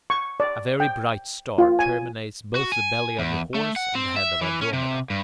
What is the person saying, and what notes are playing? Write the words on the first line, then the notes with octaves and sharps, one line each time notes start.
A very bright star terminates both the belly of the Horse and the head of Andromeda.
C#6
D5
G5
F4
G#5
F#4
G#5
E2
A3
F#5
C4
E5
E3
C#4
C3
G2